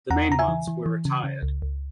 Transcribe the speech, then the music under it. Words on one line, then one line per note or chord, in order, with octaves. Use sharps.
The mean ones were retired.
E2 F#5 A#5
C#3 A#5
E5 G#5
E3
E3
E3
C#3
C#3
C#2
C#2